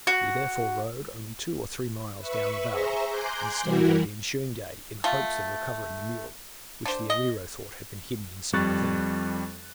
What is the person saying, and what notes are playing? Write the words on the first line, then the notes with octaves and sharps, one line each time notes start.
We therefore rode only two or three miles down the valley, and stayed there the ensuing day in hopes of recovering the mule, which the arriero thought had been hidden in some ravine.
F#4
B4 E5 C#6
G#4 C5 E5 A#5 C#6
G#5 A#5 C6 D6 F#6 G6
E3 G3 E4 F#4 A#4
A3 F4
D3 C5
D#5
F2 G3 C#6 F#6 A6